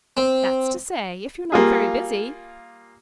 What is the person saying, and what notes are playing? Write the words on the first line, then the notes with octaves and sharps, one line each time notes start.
"That's to say if you're not very busy."
C4
G3 A#3 F4 G#4